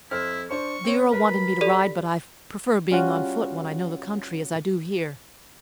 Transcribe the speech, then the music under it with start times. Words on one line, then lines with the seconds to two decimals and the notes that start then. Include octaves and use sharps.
"The earl wanted me to ride, but I prefer being on foot when I know the country, as I do here."
0.11 F2 E4 C5 F6
0.51 D4 C5 C#6
0.84 C4 C#5
1.12 A#4 B4 B5
1.61 G4 A4 D5
2.91 G3 C#4 F4 F#4